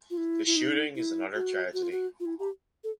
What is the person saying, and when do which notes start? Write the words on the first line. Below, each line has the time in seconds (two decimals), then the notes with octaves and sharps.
This shooting is another tragedy.
0.10 F4
0.17 E4
0.46 E4
0.56 D#4
0.95 E4
1.34 F#4
1.74 F#4
1.83 F4
1.91 F#4
2.20 F4
2.25 E4
2.39 G4
2.84 A4